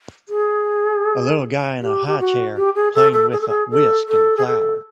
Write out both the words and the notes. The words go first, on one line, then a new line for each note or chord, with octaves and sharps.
A little guy in a highchair playing with a whisk and flour.
G#4
G4
G4
F#4
G4
G#4
A4
A4
G#4
A4
G#4
A4
A4
G#4
A4